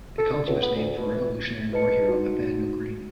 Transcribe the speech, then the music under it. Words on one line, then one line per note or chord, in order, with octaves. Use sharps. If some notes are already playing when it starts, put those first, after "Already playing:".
The county was named for Revolutionary War hero Nathanael Greene.
A4
D3
C#2
B3
D2
B2
E3
E4 B4 D#5 A5 C#7
D#4 F#4